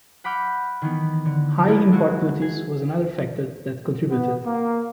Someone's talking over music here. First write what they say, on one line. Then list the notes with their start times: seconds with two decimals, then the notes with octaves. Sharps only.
High import duties was another factor that contributed.
0.24 F#5 B5 D6 F6 G6
0.82 D#3 E3 B3
1.25 D3
1.65 G#3 A#3 B3 E4 A#4
1.92 G#3 A3 E4 F#4
2.42 G#4
4.10 B3
4.45 A#3